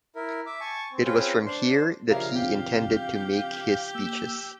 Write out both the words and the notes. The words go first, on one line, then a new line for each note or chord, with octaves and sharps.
It was from here that he intended to make his speeches.
E4 A#4
E5 D6
G#5 A5 C#6
C4
C4 C#4 F4 G#4 B4 G5
D4 C5 C6
C#3 F3 D4 G4 A#4 E5 F5
C4 G4
A#3 E6